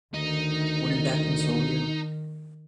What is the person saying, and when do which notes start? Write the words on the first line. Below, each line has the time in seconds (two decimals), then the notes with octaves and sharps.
Wouldn't that console you?
0.14 D2 D#3 D#4